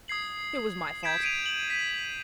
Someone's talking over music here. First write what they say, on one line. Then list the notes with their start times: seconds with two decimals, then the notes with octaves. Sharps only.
It was my fault.
0.08 D#6 G#6 C7 F#7
1.03 G6 G#6 B6 D7 E7
1.23 D7 D#7 F7
1.46 F#7
1.70 B6 D7 D#7